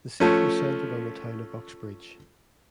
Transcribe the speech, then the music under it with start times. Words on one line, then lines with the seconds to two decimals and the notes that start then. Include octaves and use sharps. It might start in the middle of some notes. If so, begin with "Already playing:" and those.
The seat was centred on the town of Uxbridge.
0.20 F3 A3 C#4